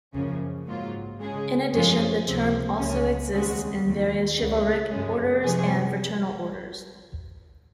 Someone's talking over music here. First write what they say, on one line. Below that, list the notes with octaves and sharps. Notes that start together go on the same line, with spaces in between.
In addition, the term also exists in various chivalric orders and fraternal orders.
F#2 C#3 F3 A#3 C#4
G#2 F#3 A#3 F4
C#3 G#3 C#4 G#4
F#2 F3 G#3 C#4 F4
C#2 C3 F3 C4
C#2 C#3 F#3 A#3 C#4
D#2 C#3 G#3 C4 F#4
D#2 D#3 F#3
C#2 C#3 F#3
F#2 C#3 G#3 C#4
C3 F3 G#3 C#4 G#4